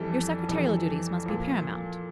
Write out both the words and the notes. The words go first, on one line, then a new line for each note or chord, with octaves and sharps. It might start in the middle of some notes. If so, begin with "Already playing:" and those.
Your secretarial duties must be paramount.
Already playing: F2 E3 G3 A4
F2 E3 G3 A4
A#2 F3